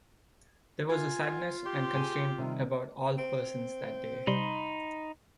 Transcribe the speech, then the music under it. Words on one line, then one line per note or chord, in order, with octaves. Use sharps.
There was a sadness and constraint about all persons that day.
F4 G#5
G4 C6
G#4 G#5
C3 D#3 G3
C4
C3 G3 D#4 B5 C6